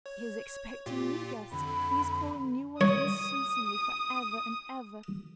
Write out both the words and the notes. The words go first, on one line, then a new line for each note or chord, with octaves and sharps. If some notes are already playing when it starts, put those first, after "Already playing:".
He is expecting new guests, He is calling new ones unceasingly for ever and ever....
C#5
A#2 F4 G4
F2 D3 B5
C#5 D#6